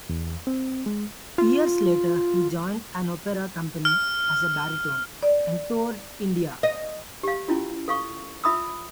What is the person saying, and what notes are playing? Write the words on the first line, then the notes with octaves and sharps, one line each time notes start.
Years later he joined an opera company as a baritone, and toured India.
E2
C4
G#3
F4
F6
D5
D#5
G4 F5
C#4 E4 F4
A4 F5 C#6
F4 E5 B5 D#6 E6